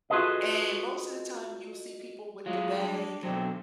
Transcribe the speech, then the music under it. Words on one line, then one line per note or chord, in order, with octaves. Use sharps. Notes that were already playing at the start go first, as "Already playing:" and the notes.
and most of the time you'll see people with the bag
F4 F#4 G#4 A4 B4 D#5
F#3 G#3 F4
D4
B2 D3 F#3 C4